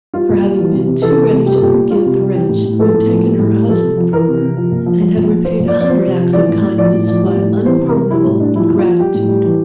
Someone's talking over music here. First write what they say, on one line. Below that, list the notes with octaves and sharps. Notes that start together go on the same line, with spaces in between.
For having been too ready to forgive the wretch who had taken her husband from her, and had repaid a hundred acts of kindness by unpardonable ingratitude.
G3 F4
A#2
G3
E3
C3
C3
E3 A4
C3
C3
G3 G4
A4
A#2 G4
G3
G3 F4
C3
G3
E3 G4
A2
A2
F3 A4
A2
F3
G3
A2
G3
F3 A4
C3
F3
E3 A#4
C3
C3
F3
A#2
F3
F3
A#2
F3
F3 C5
A#2
D5
F3
D5
F3 C5
C3
F3
E3 D5
A2
A2
F3 D5
A2
F3
G3
A2
G3
E3 C5
C3
A#4
C3
G3 E4
A2
G3 D4
F3 E4
A#2
F4
F3
G3 G4
A2
G3
E3